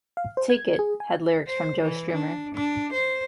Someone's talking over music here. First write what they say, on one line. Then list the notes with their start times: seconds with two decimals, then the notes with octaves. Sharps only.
"Take It" had lyrics from Joe Strummer.
0.17 F5
0.37 C5
0.50 G#6
0.79 G#4
1.00 G#5
1.47 C5
1.82 E3
2.12 D4
2.55 D4
2.93 C5